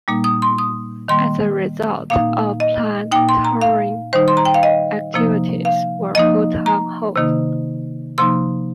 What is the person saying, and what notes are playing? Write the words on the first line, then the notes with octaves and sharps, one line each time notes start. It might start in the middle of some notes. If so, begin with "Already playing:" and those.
As a result, all planned touring activities were put on hold.
A#2 G3 A#3 D#4
D#6
C6
D#6
D#3 G3 A#3 C6
A#2 A#3 D#4 F5
D#5
A#2 A#3 D#4 G5
C6
A#5
F5
D#3 G3 D#4 C5
C6
A#5
G5
F5
D#5
C3 F3 A#3 D#4
F5
F3 A#3 D#4 D#5
A#5
C3 D#3 A#3 D#4
C3 F3 A#3 D#4 C6